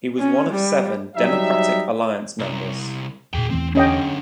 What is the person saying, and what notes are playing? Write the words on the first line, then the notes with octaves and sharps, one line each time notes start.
He was one of seven Democratic Alliance members.
C#4
G3
F#3 G3 D#4 E5
C2
E2 A#2 G#4 G5
E2 E3 A3 C4
F#2 D3 C#4 D#5 G5